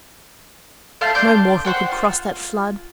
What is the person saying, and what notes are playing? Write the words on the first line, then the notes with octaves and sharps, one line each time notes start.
'No mortal could cross that flood.
A3 C5 F5 A5
D4 C6 G6
C5 C#5 F#5 G5
F4